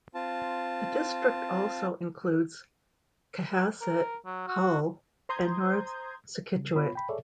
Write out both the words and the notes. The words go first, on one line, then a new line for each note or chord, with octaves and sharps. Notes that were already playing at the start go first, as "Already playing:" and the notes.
The district also includes Cohasset, Hull and North Scituate.
C4 F4 A5
A#4
F#3
F#4
C5 A#5 C6 D#6 G6 G#6
C#3 G3
B3 F4 C#5 B5
G5 B5
G#4 A4 C#5 D5 E5